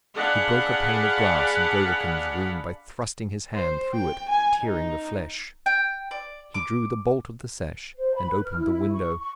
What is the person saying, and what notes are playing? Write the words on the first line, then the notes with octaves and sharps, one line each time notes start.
He broke a pane of glass in Govicum's room by thrusting his hand through it, tearing the flesh; he drew the bolt of the sash and opened the window.
D4 G#4 F5 F#5 B5
C5
G5
G#5
D#4
G5
D5
D6
C5
B5
B4
F6
E4
E4
C#6
C#6